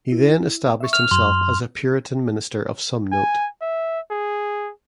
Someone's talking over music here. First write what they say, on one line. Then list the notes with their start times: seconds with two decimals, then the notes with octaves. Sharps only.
He then established himself as a Puritan Minister of some note.
0.12 E4
0.80 E5 C#6
0.93 F6 F7
1.11 F#2 C6
3.12 G#5
3.62 E5
4.11 G#4